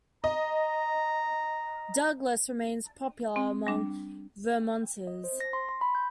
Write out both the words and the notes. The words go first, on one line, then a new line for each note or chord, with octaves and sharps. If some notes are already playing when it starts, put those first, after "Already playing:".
Douglas remains popular among Vermonters.
D#5 A#5
C4
G3 D4
D#5
C5
A#6
C6
C6
B5
G6